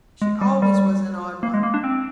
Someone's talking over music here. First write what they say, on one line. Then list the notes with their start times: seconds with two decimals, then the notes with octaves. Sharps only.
She always was an odd one.
0.22 G#3
0.41 G3
0.62 G3
1.43 A#3
1.54 G#3
1.63 A#3
1.74 D4
1.84 C4